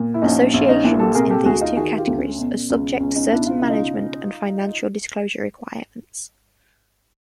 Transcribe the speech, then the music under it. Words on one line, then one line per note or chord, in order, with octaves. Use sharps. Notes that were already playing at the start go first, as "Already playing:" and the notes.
Associations in these two categories are subject to certain management and financial disclosure requirements.
Already playing: A#2
E4
A#1 C#4 D#4
A#1
C#4 D#4
A#2 D4 E4
G4 A4
C3 G#4 A#4
G4 A4
D2 F#4 G#4
D#4 F4
D#3 F#4 G#4
F4 G4
D2
C#4
B2
C#2
C#2 C#4
C#4 D#4
B2 D4 E4
F4
C#3 E4
D#4 F4